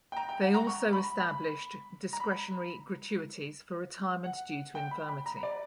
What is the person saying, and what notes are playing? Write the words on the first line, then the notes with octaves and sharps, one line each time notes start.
They also established discretionary gratuities for retirement due to infirmity.
G5
A#5
G5
F#5
A#5
C#6
B5
B5
A#5
B5
F#5
G5
B5
B5
A#5
D5